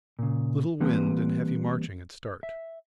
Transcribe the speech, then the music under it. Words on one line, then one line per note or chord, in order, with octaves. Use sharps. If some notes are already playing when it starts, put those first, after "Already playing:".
Little wind and heavy marching at start.
A#2 C#3
E3 G3 A#3 C4 B4
E5